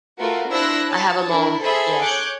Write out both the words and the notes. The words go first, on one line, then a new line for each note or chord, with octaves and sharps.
I have 'em all. Yes.
A3 F4 F#4 A#4 B4
D4 E4 C5 E6 F#6 A#6
C#5 A5
D4 E4 A#4
G#4 A4 C5 E5 B5
C#5 D6 F#6 G6